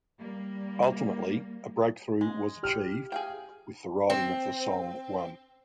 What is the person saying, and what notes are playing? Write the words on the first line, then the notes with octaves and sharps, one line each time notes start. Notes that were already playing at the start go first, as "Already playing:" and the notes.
Ultimately, a breakthrough was achieved with the writing of the song "One".
G3 A#3
G#3
G4 F6
G#4 F5 G5
C4